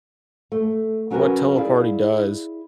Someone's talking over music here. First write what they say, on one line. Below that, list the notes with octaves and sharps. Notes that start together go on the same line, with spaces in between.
what Teleparty does
A3
F#3 C#4 F#4 G#4 A#4 B4
E4 G#4 D5 F5